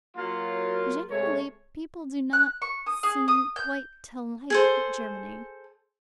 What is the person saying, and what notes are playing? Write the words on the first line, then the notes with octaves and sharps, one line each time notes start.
Generally people do not seem quite to like Germany.
F#3 A#3 F4
C3 G#3 A3 C#5
F#6
C#6
D#6
G#4
D#6
G6
G#4 A4 C5